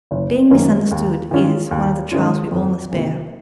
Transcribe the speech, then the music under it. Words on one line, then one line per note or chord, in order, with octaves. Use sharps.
Being misunderstood is one of the trials we all must bear.
F#1
F#2 D#3 A#3 C#4
D#2
D#3 G#3 C#4 F4
D#2
D#3 G#3 C#4 F4
F2
C3 D#3 A#3 F4